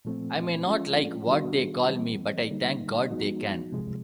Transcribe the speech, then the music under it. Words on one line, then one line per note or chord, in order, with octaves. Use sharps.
I may not like what they call me, but I thank God they can.
A#2 F3 A3 C4
F3 G#3 C#4 F4
D#3 G3 B3 D4 F#4
E3 G3 C4
D3 G3 A#3 D#4
F3 G#3 B3 D#4 F#4
C3 F3 G#3